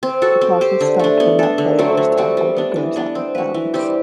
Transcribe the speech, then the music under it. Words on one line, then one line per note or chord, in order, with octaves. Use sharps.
The clock is stopped when that player is tackled or goes out of bounds.
C4
F#4 A4
C4
G4 C5
D3
A3 D4
B3
D4 A4
D3
F#3 A3 C4
D3
G3 C4 F#4
G3
B3 D4
E3
B3 D4
C4
F#4 B4
E3
G3 C4 G4